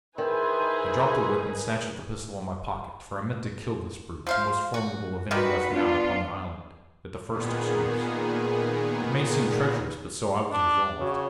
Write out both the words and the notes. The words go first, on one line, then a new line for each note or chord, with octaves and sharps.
I dropped the whip and snatched at the pistol in my pocket; for I meant to kill this brute, the most formidable of any left now upon the island, at the first excuse. It may seem treacherous, but so I was resolved.
D#3 D#4 E4 G#4 B4 C5
F3 C5 F5
F#4
D#3 G3 G#3 F#4 B4
B3 D4 F4
A#2 D#3 B3 G#4
D4
C#3 F#4 C#5